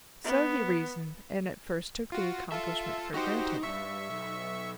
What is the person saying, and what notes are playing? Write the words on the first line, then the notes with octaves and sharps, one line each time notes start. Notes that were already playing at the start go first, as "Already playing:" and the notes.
So he reasoned, and at first took the accomplishment for granted.
B3
F4 F#4
F4 A4 E5
D#4 F#4 G4 C5
G2 A#2 E5 C#6
B1